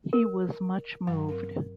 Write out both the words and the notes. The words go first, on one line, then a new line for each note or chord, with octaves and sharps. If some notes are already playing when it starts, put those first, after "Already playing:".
He was much moved.
A#4
G2 F#3 F5
C4 A#4